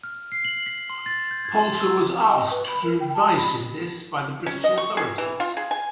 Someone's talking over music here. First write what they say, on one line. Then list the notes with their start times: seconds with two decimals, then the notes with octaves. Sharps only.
Poulter was asked for advice in this by the British authorities.
0.04 F6
0.32 C7
0.45 F#7
0.66 B6
0.90 C6
1.06 A6
1.31 G6
1.45 G#6
1.59 C6
1.81 E6
2.28 D#5
2.50 B4
2.68 B5
2.84 A#4
3.00 G5
3.14 A5
3.37 B5
4.46 C#4
4.64 D#5
4.78 C#6
4.97 G#4
5.18 E3
5.40 F4
5.57 G#4
5.71 G#5